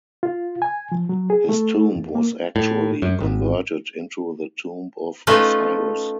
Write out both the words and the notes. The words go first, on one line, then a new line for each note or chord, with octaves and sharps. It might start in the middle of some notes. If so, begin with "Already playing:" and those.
His tomb was actually converted into the tomb of Osiris.
F4
G#5
F3
F#3
G#4
A3
E2
A#3
A2
F#2
G#1
A3 C#4 D#4 F4 A4 B4